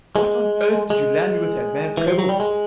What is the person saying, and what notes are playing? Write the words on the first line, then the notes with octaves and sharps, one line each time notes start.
'What on earth did you land me with that man Prebble for?'
G#3
G#3
E3
F3
F#3
G3
G#3